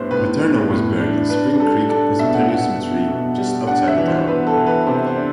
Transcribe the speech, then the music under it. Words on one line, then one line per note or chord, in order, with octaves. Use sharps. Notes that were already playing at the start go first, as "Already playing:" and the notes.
Paterno was buried in Spring Creek Presbyterian Cemetery just outside the town.
Already playing: A2 G3 B3 D4 C5
A2 B4
B3
A2
D4
D4 B4
G3 A4
D4 A4
B2 E5
F#5
B2 F#5
B2
B2
G3
D4 F#5
E5
E3
C5
B3 B4
A4
E3
B4
C3 C5
C5
D4